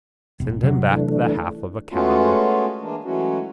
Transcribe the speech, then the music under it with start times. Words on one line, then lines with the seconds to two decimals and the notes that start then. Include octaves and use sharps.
Send him back the half of a cow.
0.40 E1
0.63 C3 F#3
0.91 E3 A3 D4
1.92 G#3 A3 B3 C#4 F4 F#4
2.81 E3 G#3 A#3 D4
3.04 E3 F#3 G#3 A3 C#4 F#4